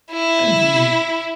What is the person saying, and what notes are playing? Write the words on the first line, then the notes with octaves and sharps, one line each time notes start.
Thank you.
E4